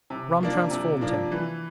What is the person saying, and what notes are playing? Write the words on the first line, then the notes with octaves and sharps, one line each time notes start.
Rum transformed him.
C3
F3 A#3 D4
C3
F3 A#3 D4
E3